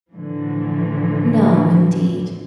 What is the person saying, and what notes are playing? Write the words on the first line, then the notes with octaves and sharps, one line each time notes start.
"No, indeed."
A2 D3 E3 F3